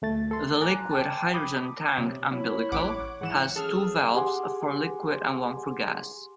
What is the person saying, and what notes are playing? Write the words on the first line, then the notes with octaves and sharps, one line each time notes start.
The liquid hydrogen tank umbilical has two valves for liquid and one for gas.
D2 A3 A6
A4 C6
G#5 A#5 D6 F#6
G5 A5
B5 D6 D#6
C3 F#3
E4 C#5
A1 F#5 D6
G#2 E3 F#5 E7
E3 F#3 C#4 G#4 A4 E6 F6
G4 G#4 F#5 G#5 C6 D6